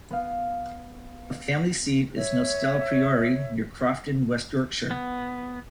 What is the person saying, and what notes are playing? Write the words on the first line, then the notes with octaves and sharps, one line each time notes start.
The family seat is Nostell Priory, near Crofton, West Yorkshire.
B3 F5
C#5 E5
B3